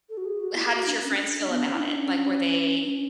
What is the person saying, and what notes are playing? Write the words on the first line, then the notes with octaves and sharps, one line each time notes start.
How did your friends feel about it? Like, were they,
A4
F#4
G#4
F#4
E4
G#4
F#4
D4
C#4
D4
D4
B3
C#4
E4
D4
C#4
D4
C#4